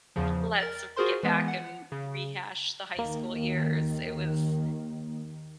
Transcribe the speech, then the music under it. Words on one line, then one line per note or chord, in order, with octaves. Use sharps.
"Let's get back and rehash the high school years." It was
E2 C#3 F3
A#4 A6
F4 F#4 G#4 A#4 C5 C6
E3 G#3 B3
F#5
C#3
D#2 D#3 A#3